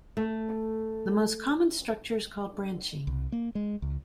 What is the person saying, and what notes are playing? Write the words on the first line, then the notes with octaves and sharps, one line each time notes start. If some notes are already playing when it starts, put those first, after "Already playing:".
The most common structure is called branching.
A3
C2
A#3
G#3
C#2